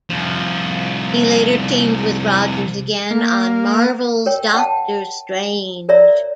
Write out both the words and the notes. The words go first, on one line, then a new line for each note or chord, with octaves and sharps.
He later teamed with Rogers again on Marvel's "Doctor Strange".
C2 F3
A#3
A#4 C#5 G5
F#5 G5 A5
A#4 C#5 D5 E5 A#5